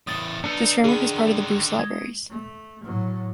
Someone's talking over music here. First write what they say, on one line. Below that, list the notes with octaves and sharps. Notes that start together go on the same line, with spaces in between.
This framework is part of the Boost libraries.
E2 A2 D#6 A6
B3 D4 D#4 A4
D3 D#3 G#4 B5
G#3
A3
A2 F#3